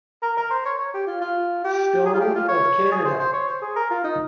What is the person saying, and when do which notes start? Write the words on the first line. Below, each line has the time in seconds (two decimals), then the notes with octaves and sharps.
Stone of Canada.
0.22 A#4
0.37 A#4
0.50 C5
0.65 C#5
0.79 C#5
0.94 G4
1.07 F4
1.21 F4
1.64 G4
2.06 G#4
2.13 F4
2.20 G4
2.35 F4
2.48 C#5
2.91 G#4
3.05 C5
3.19 C5
3.33 C#5
3.48 C5
3.62 G#4
3.76 A#4
3.90 F4
4.04 D#4